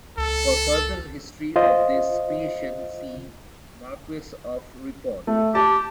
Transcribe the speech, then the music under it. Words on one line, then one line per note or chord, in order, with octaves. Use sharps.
For further history of this creation, see Marquess of Ripon.
C#2 A4
F4 C5 D#5
A3
G4 A5